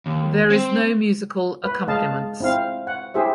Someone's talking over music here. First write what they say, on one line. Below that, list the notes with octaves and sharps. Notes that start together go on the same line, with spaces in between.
There is no musical accompaniments.
D#2
C4
B4
G#3 D#5 F5 A5
C4 E4 F5
F#5
E4 G4 G#4 C5 E5